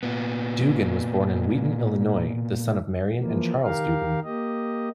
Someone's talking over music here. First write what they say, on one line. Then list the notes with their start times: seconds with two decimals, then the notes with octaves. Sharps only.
Dugan was born in Wheaton, Illinois, the son of Marion and Charles Dugan.
0.03 A#2 B3
3.18 E3 F3 A#3
3.64 D#3 G4 A#4 F5
4.24 A#3 G4 D#5